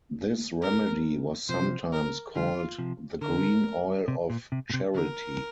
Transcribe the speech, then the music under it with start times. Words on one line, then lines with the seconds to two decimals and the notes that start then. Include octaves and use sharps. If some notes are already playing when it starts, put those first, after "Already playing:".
This remedy was sometimes called the "Green Oil of Charity".
0.62 A#4
1.49 C3 F3 C5
1.92 A#4
2.35 D3 G3 F4
2.78 C3 F3
3.21 D3 A#4
4.08 C3
4.30 A#2
4.52 C3
4.70 A#2
4.74 C3
4.95 D3 A#4